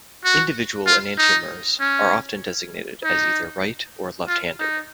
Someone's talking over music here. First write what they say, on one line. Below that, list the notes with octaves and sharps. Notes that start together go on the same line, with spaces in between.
Individual enantiomers are often designated as either "right-" or "left-handed".
F#4
F4
D#4
C#4
D#4
F4
D#4